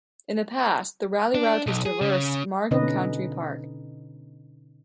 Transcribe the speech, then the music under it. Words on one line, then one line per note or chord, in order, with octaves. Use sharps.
In the past, the rally route has traversed Margam Country Park.
D4
B1
G#4
C#3
B2 D3 C#4 D#4 B4 D#5